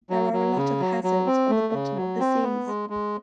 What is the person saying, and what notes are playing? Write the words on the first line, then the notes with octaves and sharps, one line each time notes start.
There are a lot of hazards on the bottom of the seas.
F#3
F#3
C#3
F#3
F#3
C4
A3
C#3
F#3
C4
B3
G#3
G#3